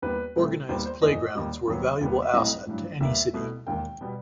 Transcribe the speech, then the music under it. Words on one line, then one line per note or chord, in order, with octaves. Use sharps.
Organized playgrounds were a valuable asset to any city.
D#2 D#3 G3 B3 B4
C2 B2 A3 C4
D#2 D#3 G3 B3 C5
C5
F#1 E2 D#3 D#5
D#2 D#3 G3
D#2 D#3 F#3 B3
D#2 D#3 G3 B3
E5
B1 A2 G3 C4 D#5
A1 G2 F#3
D#2 D#3 G3 B3 E5
C2 B2 A3
E1 D#2 D#3 G5
B2 G3 B3